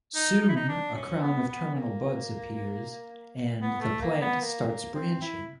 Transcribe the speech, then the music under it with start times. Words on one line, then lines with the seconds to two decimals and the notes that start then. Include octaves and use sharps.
Soon a crown of terminal buds appears and the plant starts branching.
0.15 D#4
0.42 D#4
0.49 E4
0.56 D#4
0.69 D4
0.95 C#4
1.22 B3
1.48 B3
1.75 A#3
3.61 B3
3.81 A3
4.01 A#3
4.21 B3
4.41 A#3
4.67 A#3
4.94 C4
5.22 E4